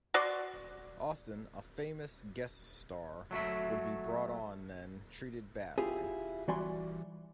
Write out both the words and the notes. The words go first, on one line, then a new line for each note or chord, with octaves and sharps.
Often a "famous" guest star would be brought on then treated badly.
F#4 D5 C6
F#3 A3 F#4 E5
E4 F4 G4 G#4
E3 G3 F#4 D5 G#5 C6